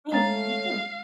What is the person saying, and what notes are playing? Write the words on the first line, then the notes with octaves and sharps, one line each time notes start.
Thanks, you too.
G#3 A3 C#5 F5 A#5 A6